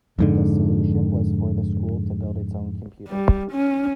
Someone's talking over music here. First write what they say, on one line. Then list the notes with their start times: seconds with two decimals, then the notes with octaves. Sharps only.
The solution was for the School to build its own computer.
0.19 F2 G#2 D3
3.08 G3
3.51 C#4